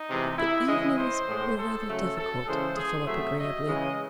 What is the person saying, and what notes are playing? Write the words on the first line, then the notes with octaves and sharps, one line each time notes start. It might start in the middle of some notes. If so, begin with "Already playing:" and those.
But the evenings were rather difficult to fill up agreeably.
Already playing: D#4
C3 E3 G#3
E4
C#3 E3 G#3 D#5
C5
A2 G#3
A4
C#3 F#3 A3
A4
C#3 E3 G#3 C5
G#4
C3 F#3 A3 E5
D#5
C#3 E3 G#3